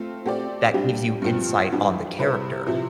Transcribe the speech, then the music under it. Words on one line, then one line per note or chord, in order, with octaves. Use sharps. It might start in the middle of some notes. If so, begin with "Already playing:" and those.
that gives you insight on the character.
Already playing: A3 C4 F4
A3 C4 G4 D5
G3 D4 G4
G2 F3 C4 G4
E3 G3 D4 G4
C3 G3 C4 E4 B4
C3 F3 C4 E4